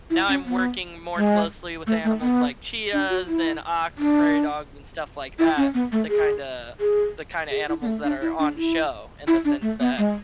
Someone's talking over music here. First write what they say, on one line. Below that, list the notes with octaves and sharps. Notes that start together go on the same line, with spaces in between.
now I'm working more closely with animals like chias, and ox, and prairie dogs, and stuff like that. The kinda the kinda animals that are on the show, in the sense that,
E4
C#4
B3
G#3
A3
A3
B3
D4
F#4
E4
D4
E4
C#4
B3
A3
G#4
G#4
G#4
E4
B3
A3
D4
E4
D4
E4
E4
D4
A3
B3
G#3